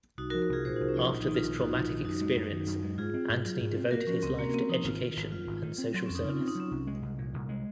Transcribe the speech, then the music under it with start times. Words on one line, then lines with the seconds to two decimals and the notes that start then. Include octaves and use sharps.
After this traumatic experience Antony devoted his life to education and social service.
0.18 C2 D#4 F#4
0.30 F#4 A#4
0.34 F3
0.42 F#4 A#4
0.49 C2 F4 G#4
0.65 A#2 G#4 C5
0.76 D#4
0.81 C2
0.89 C#4
0.94 F4
0.97 F3 D#4
1.11 A#1 D#4
1.23 D#4
1.27 D#3
1.34 F4
1.43 A#1
1.59 G#2 D#4 F#4
1.73 A#1
1.89 D#3
2.05 F#2 D#4 F#4
2.21 G#3
2.35 F#2
2.52 D#3
2.67 F#2
2.83 G#3
2.98 G#2 F4 G#4
3.14 C4
3.29 G#2
3.45 F#3
3.60 G#2
3.77 C4
3.91 A#3 F#4 A#4
4.07 F3 C#4
4.23 C#2 C4
4.38 C3 A#3
4.54 A#3 C4
4.69 F3 D#4
4.84 G#1 F4
5.01 D#3
5.16 G#1
5.32 F#2 F4
5.47 G#1
5.63 D#3
5.78 C4
5.94 F#3 C4
6.06 F2 C#4
6.15 D#4
6.25 C#3 F4
6.37 F4
6.40 C4
6.48 D#4
6.55 F#3 C#4
6.71 C2
6.87 G#3
7.02 C2
7.18 A#2
7.34 C2
7.49 G#3